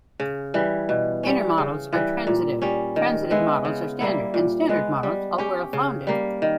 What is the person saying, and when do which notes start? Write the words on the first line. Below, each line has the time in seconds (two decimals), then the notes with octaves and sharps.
Inner models are transitive, transitive models are standard, and standard models are well-founded.
0.20 C#3
0.54 E3 G3
0.89 B2
1.23 G3 C#4
1.58 C#3
1.93 E3 G3
2.27 A#2
2.62 G3 C#4
2.96 D#3
3.31 G#3 B3 E4
3.65 C#3
4.00 G3 A#3 E4
4.34 A#2
4.69 G#3 B3
5.03 G3
5.38 C#4 G4
5.73 C#3
6.07 G3 A#3
6.42 D#3